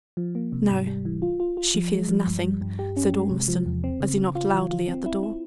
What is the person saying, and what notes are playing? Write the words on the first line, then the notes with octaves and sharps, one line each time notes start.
"No; she fears nothing," said Ormiston, as he knocked loudly at the door.
F3
A#3
C3
G#2
G3
E3
F4
F4
F4
F3
G#3
F3
G2
G3
G2
G4
C#4
G#3
C3
F3
E2
C4
C#3
C#3
F4
E3
F4
C4
E4
E4